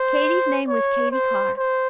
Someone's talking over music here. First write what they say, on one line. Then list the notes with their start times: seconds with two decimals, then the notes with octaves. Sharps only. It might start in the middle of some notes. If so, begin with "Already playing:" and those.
Katy's name was Katy Carr.
Already playing: C5
0.68 C#5
1.12 C5
1.57 C5